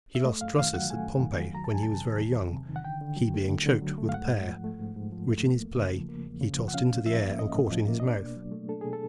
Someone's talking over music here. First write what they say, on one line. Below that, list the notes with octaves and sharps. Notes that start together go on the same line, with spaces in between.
He lost Drusus at Pompeii, when he was very young; he being choked with a pear, which in his play he tossed into the air, and caught in his mouth.
E5
A3 D#5
F#2 F5
D#3 F5
F#3 F#5
A3 G#5
F#2
D#3
F#3
E2 A#5
A5
E2 G#5
C3 A5
D#3
E2
E2
C3
D#3
F#5
D3 G5
D3
F#3
A3
D3
D3
F#3
A3
F5
G#2 F#5
G#2
F3
A3
G#2
G#2
F3
A3
A#3
E2
C#3
F3
A#3
E2
C#3
F3
F#5
C#4 F5
A2
F3 E5
A#3
C#4 D#5
A2
F3
A#3
D#5
D4 D5
B2
F#3
A3
D4 A4
B2 G#4
A4